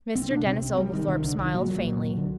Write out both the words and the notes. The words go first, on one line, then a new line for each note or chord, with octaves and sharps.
Mr. Denis Oglethorpe smiled faintly.
C2 C4
C3 D4
C3 C4
C2
C2 G3
C3 D#3
C3 D#3
C2 D3
C2 D#3
A#2 F#3
A#2 F#3
C2
F#2
D3